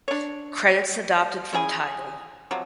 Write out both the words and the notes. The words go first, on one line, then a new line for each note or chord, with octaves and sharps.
Credits adopted from Tidal.
D4 C#5
C#4 E4 G#4 G#5
C3 F3 F#3